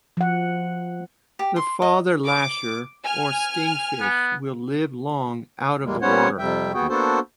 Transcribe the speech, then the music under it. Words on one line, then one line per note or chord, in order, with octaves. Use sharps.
The father-lasher, or sting-fish, will live long out of the water.
F3 F#5
G4
C6
D#5
D6
G#5 F6
B3
E2 G3 G#3 A#3
G3 B3 C#4 C5 C#5 F#5
F2 C3 G3 E5 G5
D#2 B3 F#4 G#4 G5
A#3 B3 D4 F#4 A4 C5